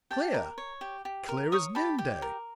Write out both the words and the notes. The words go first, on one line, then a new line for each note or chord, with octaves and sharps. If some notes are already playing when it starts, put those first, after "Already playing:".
Clear!--clear as noonday!
G4 G5 A5
A#4
C#5
G4
G4
A#4
C#5 C#6 D#6
G4 A5 B5
G4
A#4